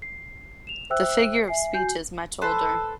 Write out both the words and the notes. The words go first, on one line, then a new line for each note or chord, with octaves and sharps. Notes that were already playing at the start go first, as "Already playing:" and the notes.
The figure of speech is much older.
C7
E7 F7
C5 E5 G5 E6 F#6
E5 G#5 C7
F#4 G#5 G6 C7
A4 B4 C5